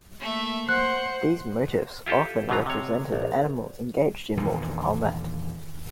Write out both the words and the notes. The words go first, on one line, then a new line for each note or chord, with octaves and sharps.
These motifs often represented animals engaged in mortal combat.
A3 A#3 E5
C5 F#5 F#6
E4 F4 G4 A4
G#2 B2 D3 F#3 F4 A#5
C3 C#5
A#1
E2 A#2 D3 D#3